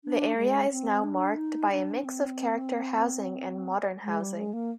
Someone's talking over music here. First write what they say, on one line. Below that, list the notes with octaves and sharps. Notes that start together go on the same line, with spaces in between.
The area is now marked by a mix of character housing and modern housing.
D4
G#3
C4
D4
D#4
D4
C4
G#3
G3
G#3
A#3